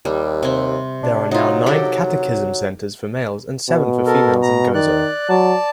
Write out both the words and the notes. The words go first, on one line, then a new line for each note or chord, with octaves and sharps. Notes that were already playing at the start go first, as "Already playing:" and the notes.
There are now nine catechism centres for males and seven for females in Gozo.
D#2 G3
C3 C4
D4
F#3 D#4 F4
G4 A4 A#4
B2
A4 A#4
A#5
D#3 D5 F#6
F#3 D5 A5